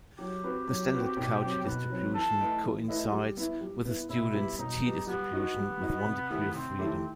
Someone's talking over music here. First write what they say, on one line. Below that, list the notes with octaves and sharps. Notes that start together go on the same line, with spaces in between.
The standard Cauchy distribution coincides with the Student's "t"-distribution with one degree of freedom.
F#3 G4
C4 F#4 B4
F#3
C4 F#4 B4
B2
F#3 C4
B2 B4
F#3 C4
E3 A4
A3 E4 B4 D#5
E3
A3 E4 B4 D#5
G3
B3 E4
G3
B3 E4
B2 E4
G3 B3
B2 D#4
G3 B3
G3 B3
D#4 F#4
G3
D#4 F#4
C3
D#3 A3 E4 G4
C3 C4
D#3 A3 E4 G4